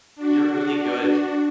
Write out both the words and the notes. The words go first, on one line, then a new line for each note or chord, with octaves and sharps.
You're really good.
D4 F#4